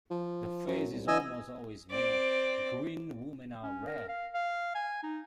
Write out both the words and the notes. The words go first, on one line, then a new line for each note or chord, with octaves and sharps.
The face is almost always male; green women are rare.
F3
F#2
C2
E3 D#5 G#5 E6
C4 D5
C#4
A#4
F5
F5
G#5
D#4